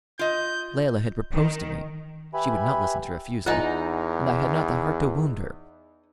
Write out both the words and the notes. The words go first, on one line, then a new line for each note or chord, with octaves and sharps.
Layelah had proposed to me, she would not listen to refusal, and I had not the heart to wound her.
F4 D#5 G6
D#3
G4 B4 E5 G#5 B5
E2 D#4 F4 D#5 F#5 G#5